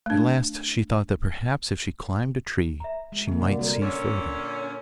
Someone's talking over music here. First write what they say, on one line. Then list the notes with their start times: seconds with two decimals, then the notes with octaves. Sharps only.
At last she thought that perhaps if she climbed a tree she might see further.
0.06 A3 D4
2.80 E5 A#5
3.12 G#3
3.27 D3 A#3 D#4 G#4
3.41 C3 G#3 F#4 D5 F#5
3.59 G3 F#4 A4 A#4 D5
3.82 A#2 D3 C#4